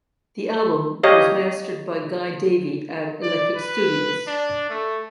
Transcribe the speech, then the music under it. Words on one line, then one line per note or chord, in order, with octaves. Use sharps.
The album was mastered by Guy Davie at Electric studios.
G4 C#5 D#5 F5
D5
B4
D4
A3